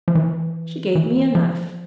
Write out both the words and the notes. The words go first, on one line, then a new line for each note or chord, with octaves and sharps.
'She gave me a knife.'
F3
E3
E3
F3